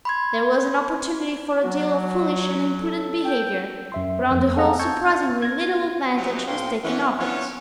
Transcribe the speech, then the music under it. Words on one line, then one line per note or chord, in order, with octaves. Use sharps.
There was an opportunity for a deal of foolish and imprudent behavior, but on the whole surprisingly little advantage was taken of it.
B5 C6 G#6
F#3 F#4
A4
G5
F#2 E5 C6
F2
G#4 A4 F5 F#5 G#5 A#5
A5 C#6 E6 G6 G#6
G#6 A#6
C3 F3 F#3 B3 D#4 F#4
A2 C4 C#4 F5 G5 C6
F#2 E3 C#4
B3 C#4 D4 E4 F4 C#5